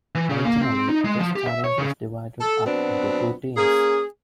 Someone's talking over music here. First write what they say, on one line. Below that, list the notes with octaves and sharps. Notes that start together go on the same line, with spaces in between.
Originally this challenge was divided up into two teams.
E3
C#3
A#3
C4
D#4
G#3
F3
G4
E5
C#5
C#3
A4
B2 F#3 B3 C4 D4
A#3 C#4 G#4